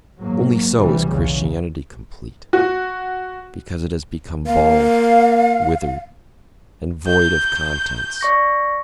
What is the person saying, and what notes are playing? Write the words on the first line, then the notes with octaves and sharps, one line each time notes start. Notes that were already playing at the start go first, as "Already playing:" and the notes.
Only so is Christianity complete, because it has become bald, withered, and void of contents.
G#2 F#3 A#3
D2 C3 E3 G3
B1 E2 C#3
F#4
A#3 F5
G6
D5 C#6 A#6